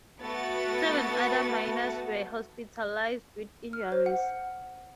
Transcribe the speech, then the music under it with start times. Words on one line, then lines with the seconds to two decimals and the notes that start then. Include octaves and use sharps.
Seven other miners were hospitalised with injuries.
0.21 A3 B3 F#4 B4 A6
3.73 F6
3.92 C5
4.06 F#5